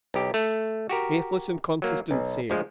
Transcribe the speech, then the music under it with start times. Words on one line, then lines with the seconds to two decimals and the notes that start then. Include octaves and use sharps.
Faithless inconsistency!
0.14 B1 G4
0.34 A3
0.89 F#4 G4 A#4
1.82 F#3 A#3
2.11 B1
2.50 D2 F3 G#3